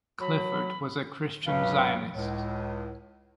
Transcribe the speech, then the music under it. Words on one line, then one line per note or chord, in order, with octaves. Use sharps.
Clifford was a Christian Zionist.
F#3 B5
C#2 G2 B2 F#3 B4 F5
C#2 A2